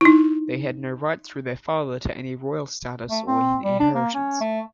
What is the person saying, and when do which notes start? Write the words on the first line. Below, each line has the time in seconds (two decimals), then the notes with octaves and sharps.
They had no rights through their father to any royal status or inheritance.
0.01 D#4 E4
3.11 A3
3.27 C4
3.64 G3
3.80 D4
3.95 A#3
4.14 C#4
4.41 A3